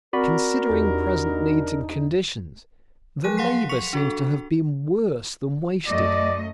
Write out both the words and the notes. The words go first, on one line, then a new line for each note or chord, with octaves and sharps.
Considering present needs and conditions, the labor seems to have been worse than wasted.
C4 F#4 A#4 D5 B5
E2 D4 D#4 G4
F3 F#3 G#4 F#6 D#7
F5 F#5 C6 B6 C7
C#6 B6 C#7 F7
D4 F#4 A4
F#2 A3 D5 D#5